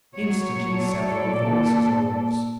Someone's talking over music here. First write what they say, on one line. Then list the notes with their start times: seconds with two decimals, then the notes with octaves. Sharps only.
Instantly, several voices arose.
0.15 F#3 C#5
0.75 A4 D5
1.28 A#2